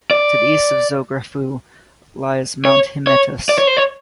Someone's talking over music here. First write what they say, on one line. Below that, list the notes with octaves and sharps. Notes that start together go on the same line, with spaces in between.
To the east of Zografou lies mount Hymettus.
D5
C#5
C#5
D5
C#5
C5
C#5